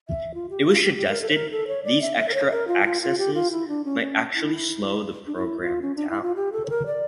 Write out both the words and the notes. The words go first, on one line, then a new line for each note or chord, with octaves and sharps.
It was suggested these extra accesses might actually slow the program down.
E5
F4
G4
F4
G4
G4
A#4
A4
C#5
A#4
A4
C#5
D5
E5
E5
A#4
C#5
A#4
F4
F4
F4
G4
F4
E4
D4
C#4
C#4
E4
D4
E4
F4
C#4
D4
E4
F4
G4
A4
C#5
A#4
D5